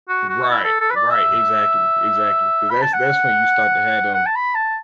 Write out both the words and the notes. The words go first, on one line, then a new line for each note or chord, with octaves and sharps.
Right, right, exactly, exactly, 'cause that's that's when you start to have them,
F#4
F#4
E4
A4
A4
B4
D5
E5
B5
A5
F#5
F#5
A5
B5
A5